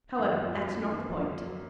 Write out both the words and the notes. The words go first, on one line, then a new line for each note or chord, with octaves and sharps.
However, that's not the point.
F#2 D#3
F3
F#2
F#3
F#2
F3
D#3 A#3
F3
A#3
F3
A#3
F#3